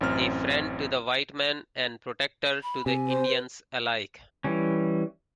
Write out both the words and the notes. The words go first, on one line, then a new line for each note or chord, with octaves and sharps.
A friend to the white man and protector to the Indians alike.
A1 F#2 C4 F6
B5
C3 G#5
C5
B4
E3 G3 C#4